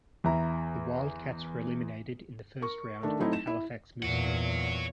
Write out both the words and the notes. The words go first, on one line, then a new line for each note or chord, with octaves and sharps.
The Wildcats were eliminated in the first round by the Halifax Mooseheads.
E2 E4 A#5
A#4 C#6
D#3 A3 D4
F#3 A3 C4 D#4 E4
E7
E4
E2 A#2 C#5 F#5